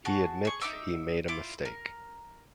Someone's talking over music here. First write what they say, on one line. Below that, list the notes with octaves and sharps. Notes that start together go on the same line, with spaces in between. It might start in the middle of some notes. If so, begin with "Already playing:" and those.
He admits he made a mistake.
F#4 G#4 A5
G#4 C#6
D#4 E5 D6 E6
E4 F4 D6
A#4